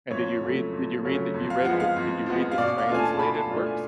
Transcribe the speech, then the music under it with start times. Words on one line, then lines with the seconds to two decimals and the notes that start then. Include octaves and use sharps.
And did you read did you read you read the did you read the translated works?
0.11 F2 C#5
0.41 C#3 F#3 A3
0.73 F2
1.03 C#3 F#3 A3
1.34 F2
1.50 F5
1.65 F3 G#3 B3 F#5
1.80 F5
1.97 F2
2.26 F3 G#3 B3
2.51 F5
2.58 B2 D5
2.78 F5
2.89 A3 D4 F4
2.95 G#5
2.99 A5
3.13 A5
3.19 B2 B5
3.34 A5
3.51 A3 D4 F4
3.66 G#5